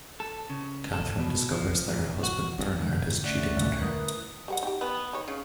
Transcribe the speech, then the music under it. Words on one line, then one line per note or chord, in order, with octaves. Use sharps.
Catherine discovers that her husband Bernard is cheating on her.
A4
C#3
A4
B2
F3
A#2
F#4
F2 G#2 D3 G6
D2 A2 C#4 D5 E5 F#5 F#6
E4 A#4 B4 D#6
G3 B4 F#5
D#4 G4
B3
D#4 C#5
C#3